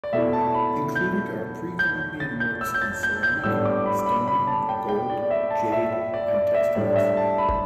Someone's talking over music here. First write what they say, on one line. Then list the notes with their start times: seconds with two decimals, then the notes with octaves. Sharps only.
Included are pre-Columbian works in ceramic, stone, gold, jade and textiles.
0.04 D5
0.13 B2 A3 E4 E5
0.33 A5
0.54 B5
0.95 G6
1.79 G6
2.20 A6
2.40 G6
2.61 E6
2.74 G6
2.82 A6
3.03 G6
3.23 G6
3.44 A2 G3 B3 D4 E6
3.65 D6
3.86 B5
3.99 D6
4.06 B5
4.28 B5
4.47 A5
4.69 G5
4.89 G5
5.10 D5
5.31 E5
5.51 A5
5.72 E5
5.93 E5
6.14 D5
6.34 D5
6.54 E5
6.75 A2 G3 D4 D5
6.96 E5
7.17 A5
7.38 B5